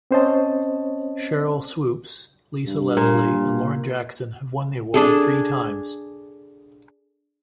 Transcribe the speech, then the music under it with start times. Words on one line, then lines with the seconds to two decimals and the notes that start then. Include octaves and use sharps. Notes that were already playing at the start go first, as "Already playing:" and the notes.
Sheryl Swoopes, Lisa Leslie and Lauren Jackson have won the award three times.
0.11 C4 C#4 C5 C#5 D#5 A5
2.67 G2
2.97 A#2
4.94 D4 G#4 A4